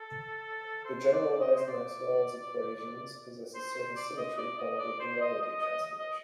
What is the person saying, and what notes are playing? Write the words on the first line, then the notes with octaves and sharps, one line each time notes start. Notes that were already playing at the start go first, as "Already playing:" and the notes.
The generalized Maxwell's equations possess a certain symmetry, called a "duality transformation".
Already playing: A4
C5
D5
D5
D#5
C5
D5
C5
C5
D5
D#5
D5
D#5
D5
C5
D#5
D#5
D#5
D#5
D#5